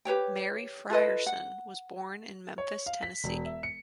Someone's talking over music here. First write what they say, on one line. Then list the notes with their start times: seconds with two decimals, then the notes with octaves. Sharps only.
Mary Frierson was born in Memphis, Tennessee.
0.05 G4 B4 C#5 G5
0.90 F4 A4 B4 D#5
1.26 F#5
2.58 C#5
2.86 F5
3.03 B6
3.24 E1
3.45 E5
3.63 C#7